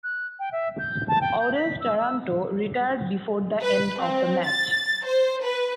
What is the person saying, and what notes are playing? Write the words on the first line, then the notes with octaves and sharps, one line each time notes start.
Audace Taranto retired before the end of the match.
F#6
G5
E5
G6
A5
G5
G6
B6
E6
E6
B4
C4
A6
C5
B4